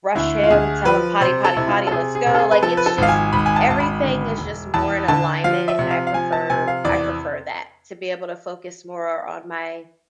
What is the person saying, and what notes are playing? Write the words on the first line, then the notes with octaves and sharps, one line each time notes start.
rush him, tell him, "Potty, potty, potty, let's go." Like, it's just, everything is just more in alignment and I prefer I prefer that, to be able to focus more on my
D2 E4
F4
D2 G#4
F3 B4
C3 C5
A4
C3 E4
F4
A4
C3 G#4
G#4
C3
A4
G#4
B4
F3 A4
B4
A4
G#1 F5
G#5
G#1 B5
G#5
A5
G#1 A5
B5
D3
E1
E2 A5
D3 A5
F3 F5
E5
C3
F5
F5
F3 G#5
A5
C3 G#5
F5
E2 D5